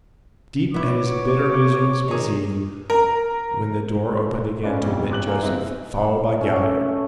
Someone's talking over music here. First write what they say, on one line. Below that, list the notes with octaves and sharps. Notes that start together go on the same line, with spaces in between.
Deep at his bitter musings was he when the door opened again to admit Joseph, followed by Galliard.
B3 E4 C#5 D6
D#3 G#4
A#4
C#4 F4 A4 B4 D5 D#5
B1 F2
A1 D6 F#6 F#7
A#3 F4 G#4
B3 C4 D#4 E4
A3 C#4